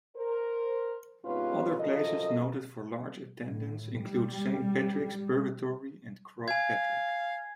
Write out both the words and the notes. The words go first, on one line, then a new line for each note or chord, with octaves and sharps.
Other places noted for large attendance include Saint Patrick's Purgatory and Croagh Patrick.
A#4 C5
G#2 C3 B3 C#4 F4 B4
F#2 F3 A4 D#5
A2
G3
F5 G#5 G#6